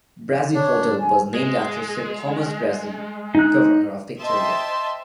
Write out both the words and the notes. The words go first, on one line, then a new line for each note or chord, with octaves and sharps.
Brassey Hotel was named after Sir Thomas Brassey, Governor of Victoria.
D4 C#5
G#5
G#3
D#4 F#6
C5 D#5 E5 G5 A5 C6